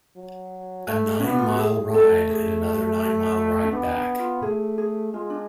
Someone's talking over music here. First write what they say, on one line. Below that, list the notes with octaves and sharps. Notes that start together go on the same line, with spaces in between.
A nine-mile ride, and another nine-mile ride back.
F#3
A3
B3 C#4
D4
F4
F#4
G#4
A3 A4
G#4
C#4
B3 D4
D4
F4
A3 G#4
G#4
G#3 F4
D4